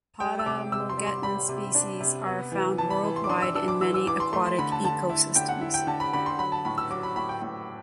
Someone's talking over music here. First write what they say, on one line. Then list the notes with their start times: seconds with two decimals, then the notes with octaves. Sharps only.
"Potamogeton" species are found worldwide in many aquatic ecosystems.
0.20 G3 G5
0.39 E6
0.46 C3 D6
0.72 C3 E6
0.89 C6
0.97 G3
1.07 C6
1.23 G3 B5
1.49 C3
1.75 D4
2.00 C3
2.27 B3
2.52 E3
2.78 E3 A5
2.90 B5
3.03 E3
3.16 C6
3.24 D6
3.30 D4 C6
3.42 E6
3.55 D4 E6
3.68 D6
3.81 E3 E6
3.94 E6
4.06 E3 D6
4.20 C6
4.33 A3 C6
4.46 C6
4.58 D3 B5
4.72 A5
4.84 D3 A5
5.10 E4
5.36 D3 G5
5.49 F#5
5.61 E4
5.74 G5
5.87 D3 A5
6.00 B5
6.13 D3 B5
6.26 C6
6.39 F#3 B5
6.52 A5
6.65 A2 B5
6.78 E6
6.90 F#3 D6
7.03 B5
7.16 A2 B5
7.29 G5
7.42 A2